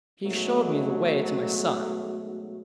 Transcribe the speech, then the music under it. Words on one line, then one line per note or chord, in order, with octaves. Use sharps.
He showed me the way to my son.
G#2 B2 F#3 A3